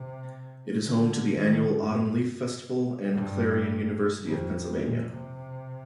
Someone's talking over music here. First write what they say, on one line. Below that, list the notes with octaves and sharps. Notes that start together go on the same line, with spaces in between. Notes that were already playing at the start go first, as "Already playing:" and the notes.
It is home to the annual Autumn Leaf Festival and Clarion University of Pennsylvania.
Already playing: C3
D3
D#3
G2
G2
F2
A#2
C3